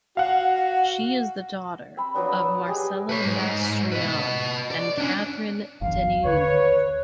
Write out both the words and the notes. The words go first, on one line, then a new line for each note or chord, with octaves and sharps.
She is the daughter of Marcello Mastroianni and Catherine Deneuve.
F#4 F5 F#5
C4 B5
F3 F#3 B3 D4
F#3 B3 E6
B3 G4 G#4 D#5
B4 C#5
G#2
B4 D#5
D5
C#4 D4
G1 E2 F5
D#2 D3 B4 C#5